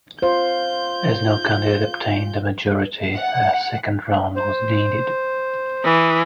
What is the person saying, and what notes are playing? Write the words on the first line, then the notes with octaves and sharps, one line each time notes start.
As no candidate obtained a majority a second round was needed.
F4 C5 G6
F#5
C5
E3 D#6